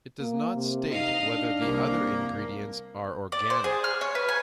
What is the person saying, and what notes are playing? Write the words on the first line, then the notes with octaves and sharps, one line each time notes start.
It does not state whether the other ingredients are organic.
A#3
C3
D#4 D#5 F5
D4
C2 A#3
D5
C5
G#4
F6
C#5
B4
G#5